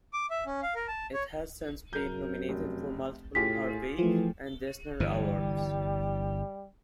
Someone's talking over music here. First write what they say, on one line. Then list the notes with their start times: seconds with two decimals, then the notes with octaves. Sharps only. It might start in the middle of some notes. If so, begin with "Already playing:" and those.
It has since been nominated for multiple Harvey and Eisner Awards.
0.13 D6
0.30 E5
0.46 C#4
0.63 F5
0.75 A#4
0.88 A5
1.14 C#5
1.93 F#2 A#4 G6
2.49 F1
3.35 A2 F4 G4 G#4 B6
3.98 E3 F3 A3
5.00 G1 G2 E3 G3